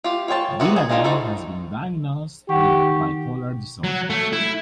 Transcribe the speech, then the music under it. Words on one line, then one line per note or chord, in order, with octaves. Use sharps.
Villagran has been diagnosed with bipolar disorder.
F4 G4
F4 C#5 G5 A5
B3 C4 E4 F#4 G4
G#4
D#3 D4 F4 D#5
G3 D#4 F#4 A4 C5
D#3 G4 F#5 G5 C#6
F#3
A3
E4